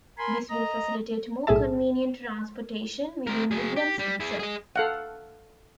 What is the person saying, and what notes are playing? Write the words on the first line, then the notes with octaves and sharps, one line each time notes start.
This will facilitate more convenient transportation within Woodlands itself.
A#4 G#5 B5 C6
D#5 A#5
B1 A2 G#4 A4 E5 A5
C4 A#4
F#3 G#4
G4
G3
E4 G#4
G#4 D#5
A4 F5 F#5